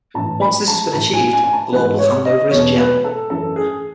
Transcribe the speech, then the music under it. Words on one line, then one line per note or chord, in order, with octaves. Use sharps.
Once this has been achieved, the lord will hand over his gem.
A2 E3 A5
B5
A5
A2 E3 A5
G#5
G#5
G#5
A5
G#2 E3 B4
C#5
D#5
E2 B2 C#5
B4
A4
F#2 E3 A4
G#4